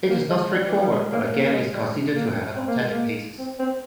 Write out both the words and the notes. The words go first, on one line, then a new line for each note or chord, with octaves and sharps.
It is not straightforward, but again is considered to have an authentic basis.
A#3
G#3
G3
E3
F3
G3
G#3
A#3
A#3
A#3
G#3
G3
A#3
C4
A#3
G#3
A#3
C4
C4